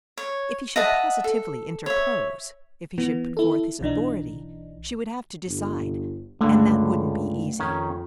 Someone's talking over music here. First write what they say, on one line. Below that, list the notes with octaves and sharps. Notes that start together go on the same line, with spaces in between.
If he should positively interpose, if he should put forth his authority, she would have to decide, and that wouldn't be easy.
C#5
D#5 E5 F#5 A5
A4
C#5 E5
E3 B3
E4 A4
B1 E3 D4 D#4
G1
C#2 G2 D3 A3
F2 D#3 C#4